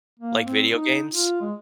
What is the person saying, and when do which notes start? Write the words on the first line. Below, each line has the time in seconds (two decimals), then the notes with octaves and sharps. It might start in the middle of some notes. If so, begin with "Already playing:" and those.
Like video games?
0.19 A#3
0.45 C4
0.73 D#4
1.12 F4
1.41 G#3